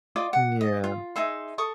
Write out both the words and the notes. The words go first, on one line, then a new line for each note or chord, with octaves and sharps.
Mm, yeah.
F4 D5 D#5 D6
F#5
D#5
F4
D#4 G#4 E5 C6
A4 C#6 D#6